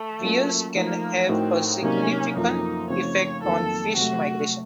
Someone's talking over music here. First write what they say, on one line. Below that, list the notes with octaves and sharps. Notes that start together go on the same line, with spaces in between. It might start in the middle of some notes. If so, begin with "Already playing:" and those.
Weirs can have a significant effect on fish migration.
Already playing: A3
F#3 A#3 C#4 F4 A#4
F3 A3 A#3 D#4
A2 A3 C4 D#4 F#4 A#4
C3 F#3 A#3 C#4 D#4 A#4
F#2 F3 A#3 D#4 F4 A4
C#3 F3 A3 C4 D#4 C#5
F2 D#3 F#3 A#3 A4
C3 F#3 A3 F#4